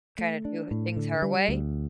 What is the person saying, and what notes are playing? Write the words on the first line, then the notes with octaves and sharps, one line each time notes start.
kinda do h things her way?
A3
D4
A2
D3
G3
D2